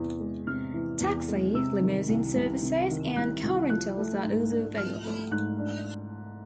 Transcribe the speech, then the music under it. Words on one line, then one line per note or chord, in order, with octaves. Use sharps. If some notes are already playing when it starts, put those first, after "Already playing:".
Taxi, limousine services, and car rentals are also available.
Already playing: E2 C3 E3
G#3
C3 F6
E3
E2
G#3
C3 E6
D#3
C2
C2
C3
D#3
C2 F#6
C2
F3 F#6
A3
G#2
D4
F3 F6
A3
G#2 F#6
D4